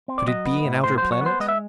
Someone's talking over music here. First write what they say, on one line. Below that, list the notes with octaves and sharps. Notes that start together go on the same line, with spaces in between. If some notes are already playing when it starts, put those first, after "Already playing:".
Could it be an outer planet?
C4
D5
F#3 D#5
B3
A2
A2 C5
F#3 C5
C#5
B3
C5
G#3 D#5
E5